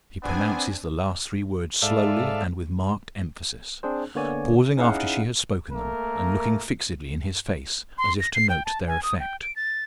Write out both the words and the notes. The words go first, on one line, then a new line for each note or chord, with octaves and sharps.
She pronounces the last three words slowly and with marked emphasis, pausing after she has spoken them, and looking fixedly in his face, as if to note their effect.
B3 C4 D4 G#5
G#2 A4 D5 E5 F5
C4 D4 G#4 C5
D3 A#3 B3 C#5 D5 G#5
C#4 D#4 E4 G#4 F5 F#5
A3 A#3 A#4
C6
A#6
C7
G5
A5
G#5
D#6
G5
D7
A6